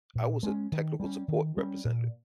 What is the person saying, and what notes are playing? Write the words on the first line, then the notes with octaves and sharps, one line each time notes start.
I was a technical support representative,
A#2
G#3
C#4
D#3
G3 C#4
D#3
G3 C#4
A#2